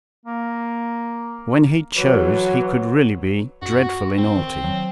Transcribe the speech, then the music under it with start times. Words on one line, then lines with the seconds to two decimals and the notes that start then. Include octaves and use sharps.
When he chose he could really be dreadfully naughty.
0.26 A#3
1.97 E3 F#3
3.62 F#2 F#4
4.18 C4
4.37 D#3
4.64 F#3